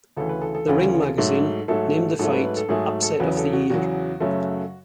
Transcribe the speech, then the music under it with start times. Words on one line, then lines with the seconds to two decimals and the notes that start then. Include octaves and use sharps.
"The Ring" magazine named the fight Upset of the Year.
0.17 D2 C#3 E3 A4
0.29 B4
0.42 A4
0.55 A4
0.67 D2 C#3 E3
1.17 G#2 F#3 A3
1.68 G#2 F#3 A3 A4
2.19 G#2 F#3 A3 A4
2.32 B4
2.44 B4
2.57 A4
2.69 G#2 F#3 A3 G#4
3.03 A4
3.20 E2 C#3 F#3 B4
3.37 A4
3.53 F#4
3.70 E2 C#3 F#3 F#4
4.20 F#2 C#3 F#3 A3